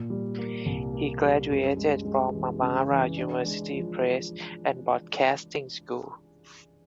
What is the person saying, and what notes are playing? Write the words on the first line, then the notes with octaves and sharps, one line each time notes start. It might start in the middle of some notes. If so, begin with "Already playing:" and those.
He graduated from Marmara University Press and Broadcasting School.
Already playing: A#2
G3
A#3
C2
A#3
G3
F#2
G#3
G#3
E3
C#3
E3
D4
G#3
F3